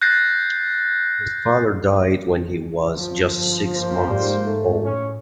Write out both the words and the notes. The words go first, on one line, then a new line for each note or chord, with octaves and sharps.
His father died when he was just six months old.
F#6 G6 A6 A#6 C7
G1 F3
A#3 C5
G#2 G3
A3
A2 C#4